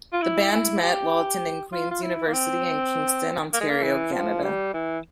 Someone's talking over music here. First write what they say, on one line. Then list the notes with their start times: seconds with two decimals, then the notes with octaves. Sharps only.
The band met while attending Queen's University in Kingston, Ontario, Canada.
0.13 F4
0.22 E4
0.52 E4
0.83 G4
1.73 F4
1.91 F4
2.03 E4
2.28 A#3
2.33 C4
3.54 A#3
3.61 G#3
3.69 A#3
3.83 E3
4.13 F3
4.43 G3
4.74 E3